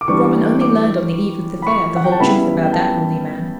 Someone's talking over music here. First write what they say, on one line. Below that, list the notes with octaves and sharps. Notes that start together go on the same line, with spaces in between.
But Robin only learned on the eve of the Fair the whole truth about that holy man.
D6
E3 G3 D4 C#6
D6
B5
C#6
F#5
G5
A5
C#3 G3 B3 E4 B5
G5
A5